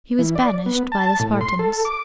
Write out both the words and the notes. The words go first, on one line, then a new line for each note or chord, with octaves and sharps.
He was banished by the Spartans.
E3
D5
B3
A5
A2
C6
A4
D6